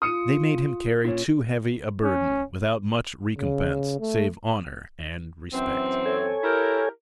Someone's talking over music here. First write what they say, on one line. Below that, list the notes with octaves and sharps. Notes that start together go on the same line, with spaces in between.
They made him carry too heavy a burden, without much recompense save honor and respect.
F4 D#6 C#7 D#7
A#2 C#4
C#4
C#3
A3
F#2 E3 C4
A4 C#5 G#5
E4 G4 A#4